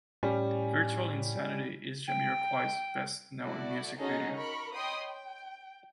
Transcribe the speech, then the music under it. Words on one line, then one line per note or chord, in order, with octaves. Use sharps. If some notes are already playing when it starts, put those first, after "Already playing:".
"Virtual Insanity" is Jamiroquai's best known music video.
A2 G3 C#4
G5
E4 F#4 A4 D5
C#4 D#4 F#4 G#4 A4 D#5
A#4 B5 C#6
C#5 D#5 G5 B5 C6 D#6
G5